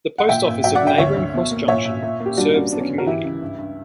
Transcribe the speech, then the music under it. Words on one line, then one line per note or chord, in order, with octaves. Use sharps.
The post office of neighboring Cross Junction serves the community.
F#5
A#2 E5 G5
A#2
F#3 E5 G5
D5 F#5
D3
E5 G5
D2 C#5 E5
D2
B2
A#3
A#2 C#5 E5
A#2
A#2
A#3
G4
G3 D4 F#4
F#2 D4 F#4
F#3 B3 D4
C#4
D3
F#4 A#4
E3 E4 G4
C#2
G2
G2